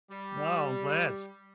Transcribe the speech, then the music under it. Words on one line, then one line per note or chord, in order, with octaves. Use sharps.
Wow, I'm glad.
G3